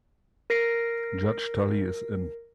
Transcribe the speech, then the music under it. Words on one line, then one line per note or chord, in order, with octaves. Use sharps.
Judge Tully is in.
A#4 A#6 C7 D7